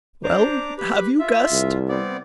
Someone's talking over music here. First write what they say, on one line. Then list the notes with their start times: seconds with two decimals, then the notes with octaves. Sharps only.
"Well, have you guessed?"
0.24 D4 C5 A#5 D6
0.78 G4 B4
1.20 F4 E5
1.52 C2
1.89 G3 B3 C4 D5